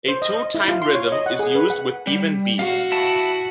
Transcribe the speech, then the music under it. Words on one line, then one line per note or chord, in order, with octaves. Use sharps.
A two-time rhythm is used with even beats.
C5
D#5
D#5
E4
F4
C6
C#5
D#5
F#5
G#4
B4
F#5
G3
F#4 F5
E4 A5